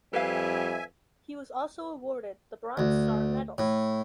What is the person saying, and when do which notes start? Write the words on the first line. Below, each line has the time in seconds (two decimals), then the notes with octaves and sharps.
He was also awarded the Bronze Star Medal.
0.13 F2 G3 B4 E5 F5 G#5
2.77 D2
3.58 A2